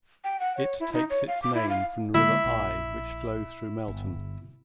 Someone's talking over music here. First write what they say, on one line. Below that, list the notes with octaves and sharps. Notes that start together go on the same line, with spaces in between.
It takes its name from the River Eye which flows through Melton.
G5
F#5
C#5
E4
D#4
C#5
F5
D6
E4
F5
D3 G#3 A#3 E4
A#1
G1